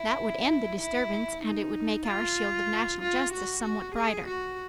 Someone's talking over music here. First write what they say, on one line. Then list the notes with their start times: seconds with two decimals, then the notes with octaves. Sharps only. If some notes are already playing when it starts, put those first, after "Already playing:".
That would end the disturbance and it would make our shield of national justice somewhat brighter.
Already playing: E4
0.81 E4
1.43 D#4
2.07 F4
3.01 F4
3.33 F#4
3.63 F#4
3.95 G#4
4.27 F#4